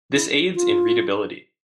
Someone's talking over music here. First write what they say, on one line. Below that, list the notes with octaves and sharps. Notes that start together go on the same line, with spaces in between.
This aids in readability.
E4
F4